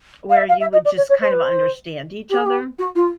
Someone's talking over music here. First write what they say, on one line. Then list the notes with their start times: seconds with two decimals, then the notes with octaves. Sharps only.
Where you would just kind of understand each other?
0.29 F5
0.36 E5
0.48 F5
0.60 E5
0.72 D#5
0.85 D5
0.97 C#5
1.09 C#5
1.21 C5
1.31 B4
1.42 C5
2.29 G4
2.37 G#4
2.45 G4
2.78 F#4
2.95 F4